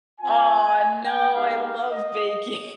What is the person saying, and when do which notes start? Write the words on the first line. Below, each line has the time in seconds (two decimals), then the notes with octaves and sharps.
Aw, no, I love baking.
0.21 C4 F4 G#5
1.06 G5
1.34 G#3 B3 D#4 G4 F5
1.62 F5
1.91 D#5